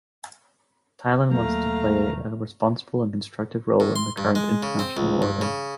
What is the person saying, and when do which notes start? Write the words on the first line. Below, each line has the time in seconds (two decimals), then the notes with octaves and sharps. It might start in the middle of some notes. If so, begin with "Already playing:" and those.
Thailand wants to play a responsible and constructive role in the current international order.
1.32 D#1 C2 F#3 A3 A#3 F5 A#5
3.80 A2
3.96 C6
4.18 G2
4.35 G#3
4.63 C#3
4.79 C4
4.97 C#2
5.22 G2
5.41 C#3